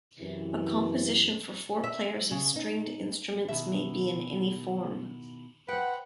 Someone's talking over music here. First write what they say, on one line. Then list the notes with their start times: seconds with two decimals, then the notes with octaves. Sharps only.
A composition for four players of stringed instruments may be in any form.
0.19 F#2 C3 E3
1.84 E5
2.31 C#3
2.56 D#4
3.48 B2 D#3 E4 E5
5.68 B4 C5 D#5 F#5 G5